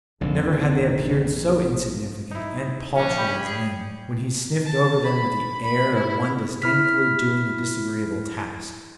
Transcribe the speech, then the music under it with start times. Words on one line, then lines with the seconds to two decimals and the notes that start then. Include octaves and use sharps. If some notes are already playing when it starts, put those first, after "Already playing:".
Never had they appeared so insignificant and paltry as then, when he sniffed over them with the air of one disdainfully doing a disagreeable task.
0.21 A#1 F2 G#2 D3 D#3 C4
2.31 D#4 E4
2.96 A#1 C#4 D4
3.18 G3 G5 B5
3.45 G#4
4.65 A5
5.02 B5
5.63 B5
5.95 E4
6.62 E4 F6 B6